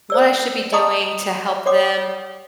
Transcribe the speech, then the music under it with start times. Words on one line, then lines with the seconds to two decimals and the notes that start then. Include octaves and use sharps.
what I should be doing to help them
0.10 C5 D5 E6
0.72 D5 D#5 A5 A#5 C#6 D#6
1.48 D5 F5
1.66 C#5 D5 F#5 C6 D6 D#6